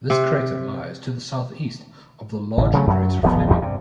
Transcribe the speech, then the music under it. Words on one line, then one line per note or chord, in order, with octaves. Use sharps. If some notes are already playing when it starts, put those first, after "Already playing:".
This crater lies to the southeast of the larger crater Fleming.
C3
A1
C#3 F#3 A3
F#2 F#3
D1 G#1 F3 B3
D#1 E2 F3 G3
G2 C3